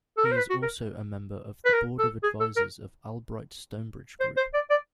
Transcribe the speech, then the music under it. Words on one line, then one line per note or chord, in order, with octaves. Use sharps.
He is also a member of the Board of Advisors of Albright Stonebridge Group.
A4
A#4
C5
B4
F#4
A#4
B4
A#4
A4
G#4
A4
A#4
C5
C5
D5
D5